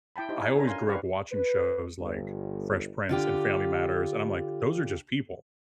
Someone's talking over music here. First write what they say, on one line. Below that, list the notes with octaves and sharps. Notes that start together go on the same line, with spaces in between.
I always grew up watching shows like Fresh Prince and Family Matters, and I'm like, "Those are just people,"
E4 G5 A5 B5
D#4 E4 G4 C5
G#5
C#4 D4 A4 A#4 G#5 A#5
F5 G#5 C6
D4 G4 B4 F5 C#6
B4
G1
D3 F4 G4